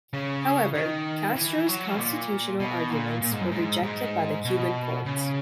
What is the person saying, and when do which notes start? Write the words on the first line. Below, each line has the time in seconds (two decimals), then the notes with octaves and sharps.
However, Castro's constitutional arguments were rejected by the Cuban courts.
0.13 C#3
0.75 D#3
1.36 E3
1.66 F#3
1.98 A#2
2.60 B2
2.90 A#2
3.21 A#2
3.32 G#2
3.41 F#2
3.51 G#2
3.83 G#2
4.45 B2
5.06 C#3